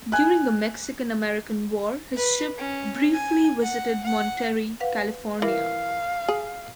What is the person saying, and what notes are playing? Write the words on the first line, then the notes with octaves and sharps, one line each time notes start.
During the Mexican-American War, his ship briefly visited Monterey, California.
G#5 F#6
B4
C#4
G#5
F#5
F#5
B4 F5 F#5
E3 A#4 F5
G#4